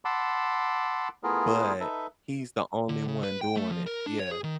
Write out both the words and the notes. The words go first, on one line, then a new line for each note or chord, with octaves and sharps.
but he's the only one doing it." Yes.
F#5 A5 B5 C6 D6 E6
A3 B3 E4 F4 G#4 A#4
D#4 A4 B4 E5
D3
C#3
B4
G5
A3
F3
A#4
D4
C#5
G#4
D#3